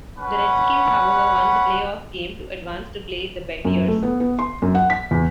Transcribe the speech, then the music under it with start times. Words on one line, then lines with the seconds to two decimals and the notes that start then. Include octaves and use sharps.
The Redskins, however, won the playoff game to advance to play the Bears.
0.19 C#4 B4 F#5
3.65 F#2
3.88 A3
4.03 B3
4.20 B3
4.39 C6
4.62 F#2
4.75 F#5
4.90 B6
5.11 E2